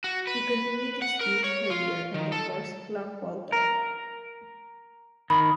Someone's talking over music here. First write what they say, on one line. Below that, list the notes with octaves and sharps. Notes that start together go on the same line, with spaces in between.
He continued his youth career in the Vorskla Poltava.
F#4
B4
F#5
A#4
C#5
F4
D#3
A4
A#4
D#3 B5